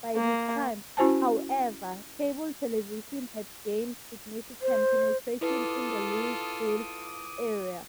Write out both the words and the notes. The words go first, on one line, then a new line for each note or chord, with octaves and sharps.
By this time, however, cable television had gained significant penetration in the Louisville area.
A#3
C#4 E4 F#4 C5 G#5 A5
C5
E4 F4 A4 B4 D6 D#6